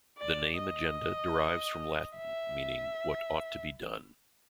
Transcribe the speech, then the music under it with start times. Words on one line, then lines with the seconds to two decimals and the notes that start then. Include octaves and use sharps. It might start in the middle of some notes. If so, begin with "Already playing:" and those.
The name Agenda derives from Latin meaning "what ought to be done".
0.19 D5
0.59 D#5
2.18 E5